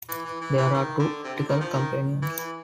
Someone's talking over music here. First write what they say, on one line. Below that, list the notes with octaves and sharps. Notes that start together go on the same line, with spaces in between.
There are two optical companions.
E3
E3
E3
E3
D#3
D3
C3
D3
D#3
F3
D#3
E3
E3